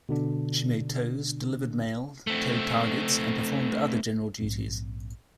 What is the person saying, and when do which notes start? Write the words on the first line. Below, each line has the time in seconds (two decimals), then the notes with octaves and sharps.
She made tows, delivered mail, towed targets, and performed other general duties.
0.09 B2 D3 D4
2.27 A3 C4
4.40 A#1 G#2 C4